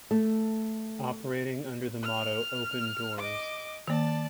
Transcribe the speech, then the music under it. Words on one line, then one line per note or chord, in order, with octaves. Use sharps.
Operating under the motto Open Doors.
A3
F6
D#5 D6
D#3 A#3 D5 A5